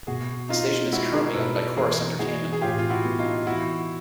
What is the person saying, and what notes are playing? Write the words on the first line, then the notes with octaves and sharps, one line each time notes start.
The station is currently owned by Corus Entertainment.
B2 F#4 G#4
C4 D#4 F4
G#3 E4 F#4
G#4 A#4
B2 A4 B4
A4 B4
E3 G#4 A#4
E3 F#4 G#4
G#4
A2 F4 G4
F4
E4 F#4
B3
D#4 F4
E3 E4 F#4